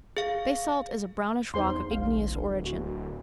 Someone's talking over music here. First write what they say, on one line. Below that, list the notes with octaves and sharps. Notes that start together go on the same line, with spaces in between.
Basalt is a brownish rock of igneous origin.
G#4 F5
E2 D#4 C5 C6
D1 A#1 F5
F#4